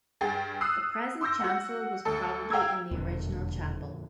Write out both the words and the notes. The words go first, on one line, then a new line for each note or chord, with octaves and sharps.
The present chancel was probably in the original chapel.
G2 G#4 G5 A6
D#6 E6 F#6 C7
C6 D6 E6 G6 A#6
F#4 F#5
D2 A4
F5 G5 A#5 E6 G#6
E1 F2 A#2 D3